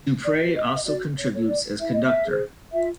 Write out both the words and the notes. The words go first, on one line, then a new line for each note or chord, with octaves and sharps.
Du Prez also contributes as conductor.
D5
F#4 B4
D#5
E5
D#5
F#4 D5
C#5
A4 C#5
D5
E4 E5
D#5
E5
G#4 C5
F4 E5